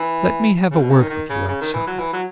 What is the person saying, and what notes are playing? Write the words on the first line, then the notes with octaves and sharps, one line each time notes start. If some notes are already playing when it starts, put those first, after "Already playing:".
Let me have a word with you outside.'
Already playing: E3
C#3
B2
C#3
D#3
D#3
C#3
C#3
D#3
E3
F#3
E3
F#3